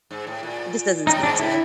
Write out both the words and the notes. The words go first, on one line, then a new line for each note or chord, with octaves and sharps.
It just doesn't speak to ya.
G#2
A2
A#2
A2 D#4
G#2 D4
A2 E4